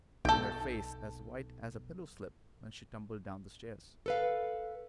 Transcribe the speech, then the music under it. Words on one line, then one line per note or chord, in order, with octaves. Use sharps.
"And her face as white as a pillow-slip when she tumbled down the stairs."
B1 A4 G5
A4 B4 F5